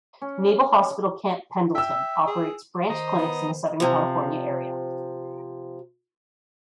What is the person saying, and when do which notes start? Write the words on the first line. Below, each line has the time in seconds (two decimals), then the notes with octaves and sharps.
Naval Hospital Camp Pendleton operates branch clinics in the Southern California area.
0.22 C#4
1.75 E5 G5 E6
2.27 G#4
2.90 D#3 C5 D#5 A#5
3.18 B3
3.80 C3 F3